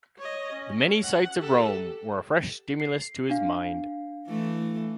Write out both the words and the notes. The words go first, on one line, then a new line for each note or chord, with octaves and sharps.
The many sights of Rome were a fresh stimulus to his mind.
C#5 D#5
C#4
F#5
G4 A4
C7
D4 F5
E3 A3